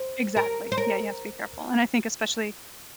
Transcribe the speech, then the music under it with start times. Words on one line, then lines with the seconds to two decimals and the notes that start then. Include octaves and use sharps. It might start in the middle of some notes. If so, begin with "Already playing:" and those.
exactly, yeah, you have to be careful, and I think especially
Already playing: C5
0.37 A#4
0.72 C5
0.78 A#4